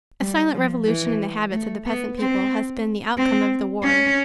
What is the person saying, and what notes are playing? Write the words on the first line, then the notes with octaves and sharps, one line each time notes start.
A silent revolution in the habits of the peasant people has been the outcome of the war.
G3
F3
E3
A3
B3
C4
C4
C#4